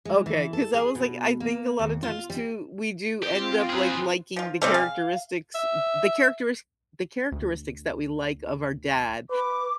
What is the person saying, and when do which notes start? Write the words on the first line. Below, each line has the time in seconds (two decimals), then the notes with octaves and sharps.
Okay, 'cause I was like, I think a lot of times too, we do end up, like, liking the characteristics the characteris the characteristics that we like of our dad.
0.05 G#3
0.26 E3
0.53 A4
0.74 G#4
0.95 B2
1.40 A#3
1.79 D#2
2.03 F4
2.30 G3
3.23 C4 F4 G4
3.70 G#4 B4
4.36 F3 F4
4.62 G3 A3 C4 A4 C5 C#5
4.74 G#4 F5
5.55 E5
7.32 D2
9.31 B4 D6